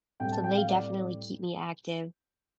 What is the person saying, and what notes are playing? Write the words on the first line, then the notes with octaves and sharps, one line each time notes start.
so they definitely keep me active,
A2 G3 C4 G5
A5
G5
F5
D5